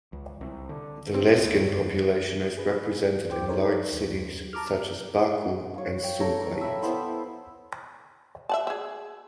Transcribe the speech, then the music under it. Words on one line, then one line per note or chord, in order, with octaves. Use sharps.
The Lezgin population is represented in large cities such as Baku and Sumqayit.
C#2
C2
D3
C4
D2
G2
F2
G#4 B4
D#2 C5 G5 D6
D#4 A4 A#4 C5 C#5
D#2
A5 A#5 D6 F6
C#5 F5
G5
A4 A#4 C#5
E5 B5
B3 E4 C5
E5 F#5 A5
G#4 E5